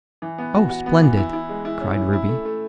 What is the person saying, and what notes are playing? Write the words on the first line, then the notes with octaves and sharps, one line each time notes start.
"Oh, splendid," cried Ruby.
E3
B3
F#4
F#4
B3
E3
E4
E4
G#3
E4
C#4
E4
E4
A3
A3